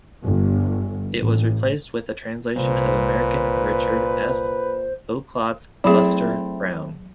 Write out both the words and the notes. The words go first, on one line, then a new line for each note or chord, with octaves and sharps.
It was replaced with a translation of American Richard F. Outcault's "Buster Brown".
G1
A1
C2 A#2 B4 C5
F#3 A3 C4 E4 G#4